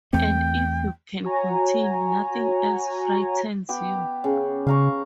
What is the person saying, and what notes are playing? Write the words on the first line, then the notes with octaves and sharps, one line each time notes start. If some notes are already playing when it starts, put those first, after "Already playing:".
And if you can continue, nothing else frightens you.
E2 A3 C4 G5
F#4 C#5 G#5 A#5
B3 G4
C#3
C#3 F5 A#5 C#6